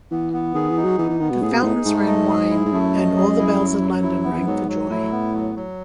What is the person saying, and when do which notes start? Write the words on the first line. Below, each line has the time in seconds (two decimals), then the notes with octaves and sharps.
The fountains ran wine and all the bells of London rang for joy.
0.11 E3 B3
0.33 B3
0.55 D#3 G#4
0.69 E3
0.77 D#4
0.84 F#3
0.98 E3 B3
1.10 E3
1.20 D#3 B3
1.30 B2
1.42 A2 G#4
1.53 B2
1.63 A2 D#4
1.86 G#2 A3
2.07 D#5
2.29 G#4
2.50 E4
2.66 G#2
2.72 F#2 A3
2.95 D#5
3.16 G#4
3.38 E4
3.59 F#3
3.81 F#3
4.02 E4
4.24 B3
4.31 E2
4.39 F#2
4.47 G#2 F#3
4.68 F#3
4.90 A2 E4
5.12 B3
5.34 F#3
5.56 F#3